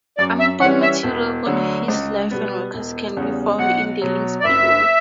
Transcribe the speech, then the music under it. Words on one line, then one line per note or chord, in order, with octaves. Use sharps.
Ample material on his life and works can be found in the links below.
F#2 D5
E5
E3 G3 C#4 F#5
E5
E1
D2 D3 F#3
C#2
B2 G3 B3
E1
E2 C#3 G3
B1 F#5
B2 F#3
D5
F#1 E5